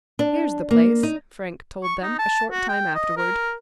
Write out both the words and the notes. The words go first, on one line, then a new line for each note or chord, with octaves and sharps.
"Here's the place," Frank told them, a short time afterward.
D4
A#3
D#4
C#6
D#4
A5
F#4
G5
D#5
A#4